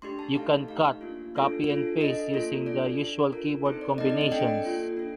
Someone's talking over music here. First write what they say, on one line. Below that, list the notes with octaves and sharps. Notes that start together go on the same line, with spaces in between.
You can cut, copy and paste using the usual keyboard combinations.
A3 D4 G4 C6
A5
A3 D#4 A4 F5
A3 D#4 G4 F5
A#3 D4 F4
A3 D4 F4 A4
D4 F4 A4
D4 A4 D#5
A#3 F4 A4
D4 F4 A4 D5
D4 A4
D4 F4 A4 A#4
C4 D#4 A4 C5
D5
A3 C4 D#4 A4 D#5
D5
D#5
D4 A4 G5
A#3 F4 A4
D4 A4